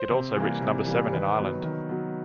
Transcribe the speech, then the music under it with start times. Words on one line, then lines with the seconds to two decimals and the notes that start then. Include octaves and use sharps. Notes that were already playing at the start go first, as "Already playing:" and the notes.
It also reached number seven in Ireland.
Already playing: C5
0.11 C3
0.36 E3 G3 A#3
0.61 C3
0.87 E3 G3 A#3
1.13 D#3 B4
1.38 F#3 B3
1.63 D#3
1.89 F#3 B3